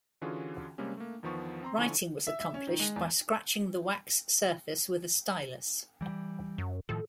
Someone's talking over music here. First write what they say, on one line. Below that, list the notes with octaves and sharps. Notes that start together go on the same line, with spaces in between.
Writing was accomplished by scratching the wax surface with a stylus.
D3 E3 C#4 F4 F#4 G#4
C3 G3 G#3 A#3 C#4
A3 A#3
E2 D#3 F3 B3 C#6
C4 A#5 C6
D3 F3 E4 G#5 C#6
E5
E5
C#4
D#3
G#3
E2
E3 G3
F#2
A2 D#3 F3 A4